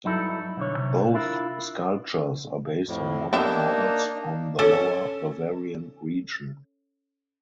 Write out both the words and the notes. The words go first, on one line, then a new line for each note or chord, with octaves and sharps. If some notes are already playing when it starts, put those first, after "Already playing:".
Both sculptures are based on modern models from the Lower Bavarian region.
G2 F#3 D#4 E4 A4
B1 D3 C#5
C3
D4 E4 F4 A#4
F2 A2
A#3 B3 D4 D#4 G4 E5
C#4 A4